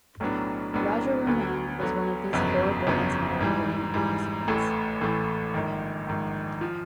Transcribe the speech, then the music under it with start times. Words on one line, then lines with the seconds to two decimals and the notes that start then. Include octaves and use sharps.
Rajaraman was one of these four bronze medal winning participants.
0.20 B1 A2 F#3 B3 D4
0.73 B1 A2 F#3 B3 D4
1.27 D2 D3 F#3 B3
1.80 D2 D3 F#3 B3
2.33 G1 F2 C#3 F#3 B3
2.87 G1 F2 C#3 F#3 B3
3.41 G#2 E3 G3
3.94 G#2 E3 G3
4.48 A1 A2 E3 A3
5.01 A1 A2 E3 A3
5.54 A#1 G#2 D#3
6.07 A#1 G#2 D#3
6.61 F3